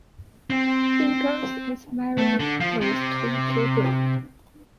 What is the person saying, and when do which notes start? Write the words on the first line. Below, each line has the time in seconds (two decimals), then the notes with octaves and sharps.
Fingers is married with two children.
0.50 C4
2.18 A3
2.40 D3
2.61 F3
2.81 C3